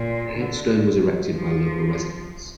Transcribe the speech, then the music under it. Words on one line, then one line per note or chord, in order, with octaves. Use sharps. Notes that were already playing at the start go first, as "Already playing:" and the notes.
The headstone was erected by local residents.
Already playing: A#2
D3
F3